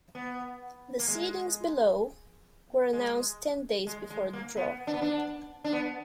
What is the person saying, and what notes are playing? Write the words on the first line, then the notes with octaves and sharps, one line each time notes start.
The seedings below were announced ten days before the draw.
B3
A#3
G#3
G#3
G#3
G#3
A#3
B3
D4
B3
D4
D4
B3